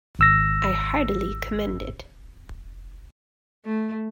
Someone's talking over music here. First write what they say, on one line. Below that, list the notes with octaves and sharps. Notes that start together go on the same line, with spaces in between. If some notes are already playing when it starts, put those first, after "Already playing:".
I heartily commend it.
G#1 E6 A#6
A3